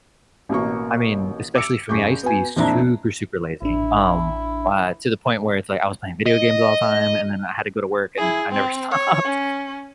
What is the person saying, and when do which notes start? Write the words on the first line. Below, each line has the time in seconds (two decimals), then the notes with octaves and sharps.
I mean, especially for me, I used to be super, super lazy, um, uh, to the point where it's like I was playing video games all the time, and then I had to go to work, and I never stopped.
0.49 A1 B2 A#3 C#6
1.55 D6 E6 C#7 D7
1.89 F#1 G#4 C#6 D6 G6
2.23 B3 F#4 G#5
2.56 F2 A#2 F3 D4 E4 A#5
3.62 A1 D4 E4
6.26 D#5
8.17 E4 G#4
8.52 C4
8.91 C#5
9.25 C#4